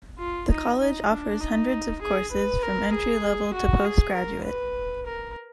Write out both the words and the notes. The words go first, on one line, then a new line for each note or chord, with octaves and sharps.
The college offers hundreds of courses from Entry Level to post-graduate.
F4
D#4
D#4
D4
D#4
G#4
B4
A#4
G#4
F#4
G#4
A#4
B4
A#4